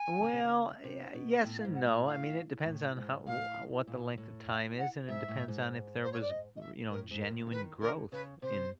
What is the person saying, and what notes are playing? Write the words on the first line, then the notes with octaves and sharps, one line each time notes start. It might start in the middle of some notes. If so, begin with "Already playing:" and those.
Well, ye yes and no. I mean, it depends on how w what the length of time is, and it depends on if there was, you know, genuine growth in
Already playing: G#5
C#3
C3
C#3
C3
B2
A2 G5
F5
G#2
F#5
A2
F5
A2
G#2
A2 F5
A#2
A2
F5
F#5
G#2 E5
A2
G#2
C5
C#5
D5
D#5
D#5
E5
A2 A#4
G#2
A#4
A2
D3
D#3 B4
D3 A#4
C#3 B4
C3 C5